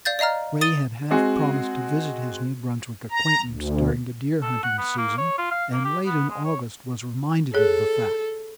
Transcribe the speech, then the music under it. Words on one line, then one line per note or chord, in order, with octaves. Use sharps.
Ray had half-promised to visit his New Brunswick acquaintance during the deer-hunting season, and late in August was reminded of the fact.
D5 F5 G6 A6
D5 D#5 F5 A#5 F6
D#6 A6 D#7 G7
G#3 C4 F#4 G#4
A#5
D2
A4
F#5
B3
A#3
C#5
F4
F5
A#3
G4
B3
G#3
C#5
G#4 A4 C#5